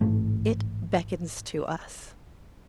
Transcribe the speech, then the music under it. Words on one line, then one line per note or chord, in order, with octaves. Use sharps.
It beckons to us.
A1 G#2 A3